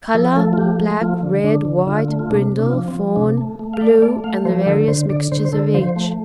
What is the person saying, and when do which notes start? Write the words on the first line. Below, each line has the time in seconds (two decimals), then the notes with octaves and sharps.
COLOUR--Black, red, white, brindle, fawn, blue, and the various mixtures of each.
0.15 F3 A4
0.36 A3 A4
0.53 F4
0.58 F3 G4
0.79 A3
1.01 F3 F4
1.23 D3
1.44 D3 D4
1.65 D3
1.87 D3 F4
2.08 A3
2.19 F4
2.30 C3 D4
2.52 C3
2.59 D4
2.66 F4
2.73 F3 D4
2.88 C4
2.94 F3
3.16 C3 D4
3.38 A3
3.59 A3
3.74 F5
3.81 A3 D5
3.89 F5
4.02 A3 D5
4.24 A3 F5
4.45 F3 C5
4.62 G4
4.66 D3 A4
4.88 D3 C5
5.10 D3 D5
5.32 D3 C5
5.45 C5
5.53 D3 A4
5.74 F3 C5
5.96 A3